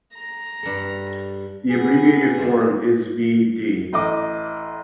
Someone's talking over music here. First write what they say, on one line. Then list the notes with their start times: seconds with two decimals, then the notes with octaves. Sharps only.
The abbreviated form is v.d.
0.14 A#5
0.63 G2 A4
1.70 B3 G#4
3.93 A1 D#5 D6